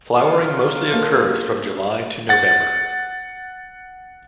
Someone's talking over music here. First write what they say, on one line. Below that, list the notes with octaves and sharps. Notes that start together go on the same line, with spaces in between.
Flowering mostly occurs from July to November.
F#3 F4
A#3 A4
F#5 A6